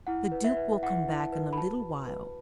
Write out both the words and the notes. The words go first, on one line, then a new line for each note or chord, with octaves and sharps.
The duke will come back in a little while.
E4 F#5
B4
E5
B4
E4 F#5
E4
A5
B4
B5
F#4 A5
B4
B4